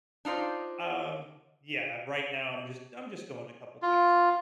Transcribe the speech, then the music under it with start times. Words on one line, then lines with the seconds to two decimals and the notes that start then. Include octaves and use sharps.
um, yeah, right now, I'm just I'm just going a couple times a week.
0.25 D4 D#4 F4 C5 D5
3.82 F4